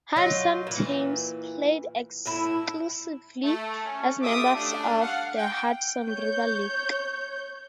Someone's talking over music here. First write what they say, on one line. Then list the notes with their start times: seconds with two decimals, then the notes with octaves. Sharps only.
Hudson teams played exclusively as members of the Hudson River League.
0.16 F#3 D#4 F4
0.67 A#2 E3
2.26 A2 E4
3.44 A3
3.85 C#4
4.22 F4 G4 A4 E5 D6 D#6
4.54 G3 A3 C#4 D4
5.01 F5 F#5
5.37 G5
6.07 C#5 G6